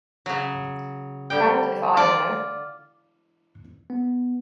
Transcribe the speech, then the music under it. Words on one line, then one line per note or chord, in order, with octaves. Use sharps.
Damned if I know.
C#3 F#3
D3 G3 G5
F4 D5
B3